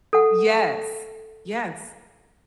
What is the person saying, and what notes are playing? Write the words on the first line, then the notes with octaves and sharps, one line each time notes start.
Yes. Yes.
A4 F#5